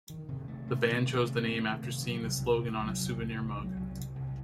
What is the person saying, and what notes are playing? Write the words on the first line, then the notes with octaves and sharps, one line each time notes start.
The band chose the name after seeing the slogan on a souvenir mug.
D#3
C3
A3
C3
D#3
C3
A3
C3
D#3
C3
F#3
C2
C3
C2
F#3
C2
C3
C2
F#3
C2
C3
C2